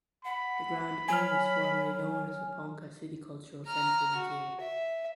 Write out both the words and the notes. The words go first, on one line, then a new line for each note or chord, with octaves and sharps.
The Grand Home was formerly known as the Ponca City Cultural Center Museum.
F#5 B5
F#3 G#5 F6
A#5 F6
F#4
E5